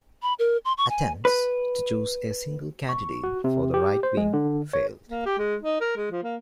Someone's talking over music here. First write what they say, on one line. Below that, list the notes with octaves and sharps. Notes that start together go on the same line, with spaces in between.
Attempts to choose a single candidate for the right-wing failed.
B5
A#4
C6
C#6
G#5
B4
C#6
F#4
C3
G4
C5
G#3
D3
C#5
A#3
G4
G#3
D#4
A#4
G#3
F3
A#3